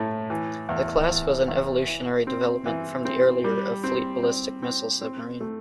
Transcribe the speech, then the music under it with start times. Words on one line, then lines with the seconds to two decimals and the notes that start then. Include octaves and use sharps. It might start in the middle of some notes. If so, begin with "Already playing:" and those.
The class was an evolutionary development from the earlier of fleet ballistic missile submarine.
Already playing: A2 A3
0.30 E3
0.69 E2
1.08 E2
1.48 E2
1.87 E3
2.27 C4
2.66 E3
3.05 C4
3.44 G3
3.84 C4
4.23 C4
4.62 C4
5.01 C4
5.40 A3